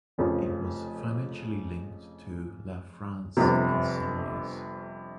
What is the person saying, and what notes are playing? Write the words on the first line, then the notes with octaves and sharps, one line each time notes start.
It was financially linked to La France insoumise.
F1 F2 C#3 F3
G1 F2 C3